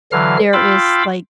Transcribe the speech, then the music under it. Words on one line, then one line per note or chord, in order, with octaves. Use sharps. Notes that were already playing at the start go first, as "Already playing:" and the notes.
there is, like,
D3 E3 F#3 F5 F6
F4 F5 G5 B5 D6 E6